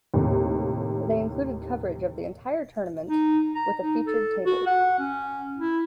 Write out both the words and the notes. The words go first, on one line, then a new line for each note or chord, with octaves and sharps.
They included coverage of the entire tournament, with a "Featured Table".
D#2 A2 C3
D#4
A#5
D#4
A4
F#4
F#5
C#4
E4